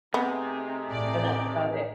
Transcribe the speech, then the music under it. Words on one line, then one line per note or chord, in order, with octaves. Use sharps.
and that's about it.
C3 A3 B3 D#4 G#4
A1 D5